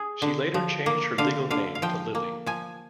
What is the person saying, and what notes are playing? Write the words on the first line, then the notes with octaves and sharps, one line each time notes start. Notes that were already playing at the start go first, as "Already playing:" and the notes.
She later changed her legal name to Lily.
Already playing: G#4
D3
F3
A#3
D3 F5
D3 F5
F5
F3 G5
A#3
F3 G#5